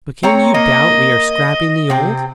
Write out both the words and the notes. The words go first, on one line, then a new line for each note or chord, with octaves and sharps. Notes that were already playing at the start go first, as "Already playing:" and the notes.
"But can you doubt we are scrapping the old?..."
C4 C#5 A#5
A#3 D#5
C3 C4